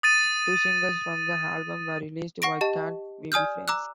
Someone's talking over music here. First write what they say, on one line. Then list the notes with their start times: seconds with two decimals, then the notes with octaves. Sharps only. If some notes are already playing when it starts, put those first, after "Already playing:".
Two singles from the album were released: Why Can't We Be Friends?
0.03 D#6 A6 D#7
2.42 F#5 C#6 A#6 D7
2.61 G4 D#5 A5
3.32 D5 G#5 D#6 F6 G6
3.68 A#5 D6 E6 F#6